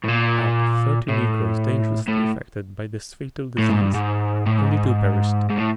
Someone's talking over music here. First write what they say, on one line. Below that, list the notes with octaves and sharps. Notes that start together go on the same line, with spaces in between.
Out of thirty negroes dangerously affected by this fatal disease, only two perished.
A2
A#2
A2
A2
A2
G#2
G2
G#2
A2
G#2
G#2
A2